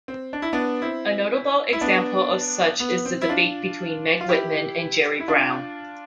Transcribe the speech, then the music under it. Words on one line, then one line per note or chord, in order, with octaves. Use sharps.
A notable example of such is the debate between Meg Whitman and Jerry Brown.
C4
D4
E4
B3 D4
C4 E4
E4
B3 D4
B3
C4
E4
D4 F4
F4
E4 G4
E4
D4 F4